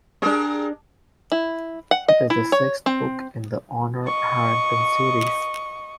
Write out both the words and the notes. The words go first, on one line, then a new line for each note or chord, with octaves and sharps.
It is the sixth book in the Honor Harrington series.
C#4 D4 G4 G#4 A#4
E4
F#5
D#5
E4
C#5
C4
D#5 C#6